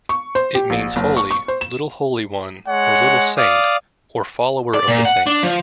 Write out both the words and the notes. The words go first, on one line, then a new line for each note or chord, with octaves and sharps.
It means "holy", "little holy one" or "little saint", or "follower of the saint".
C#6
C5
G4
A#1
F#1
C#6
C#6
C5
E7
G#3 C#5 F#5
D5 F5 D#6
D5
A#2
F#5
D4
F3